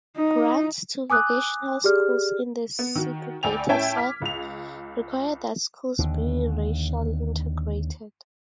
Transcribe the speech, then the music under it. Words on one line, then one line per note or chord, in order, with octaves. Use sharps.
Grants to vocational schools in the segregated South required that schools be racially integrated.
D#4
G#5 D6 D#6 F#6
G4 G#4 D5 F6
B3
D#3 F#4
D2 D5 G5 G#5 F7
A2 C#4 E5 G5 A5 G#6
D6 F6 B6
C#2 F7
D#2 D3